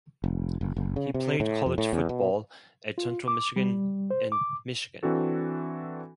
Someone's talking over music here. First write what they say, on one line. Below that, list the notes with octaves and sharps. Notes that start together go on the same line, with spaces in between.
He played college football at Central Michigan and Michigan.
F1
F#1
F#1
C#3
C3
A2
F2
A2
E2
B2
F4
D6
G3
C5
D6
E3 C4 D4 F#4 A4